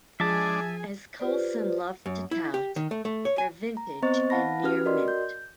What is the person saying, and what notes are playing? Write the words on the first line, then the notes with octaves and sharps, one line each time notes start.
As Coulson loved to tout They're vintage and near mint.
F3 G#3 D4 G#4 D5 E5 G#5 A5
F4 G4 B4 C5 D5
F#2
E4
G4
D#3
A3
A3
C#5
G#5
A#5
B3 C4 C5 D#5 C#6 A6
F5 F#5 A5 B5 A#6
C#4 F#4 G4 B4 F6
F#4 A#4 D5 D#5 C6
G6